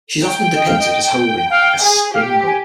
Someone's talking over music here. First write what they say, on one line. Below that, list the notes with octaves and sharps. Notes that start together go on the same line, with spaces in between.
She is often depicted as holding a spindle.
G5
D#5
F5
D#5
F5 G5
G#4
G4 F5
G5
G#5